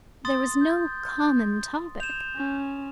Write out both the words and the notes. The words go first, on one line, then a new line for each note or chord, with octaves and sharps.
There was no common topic.
C6 D#6 A6
G6
G6 E7 F7
C#4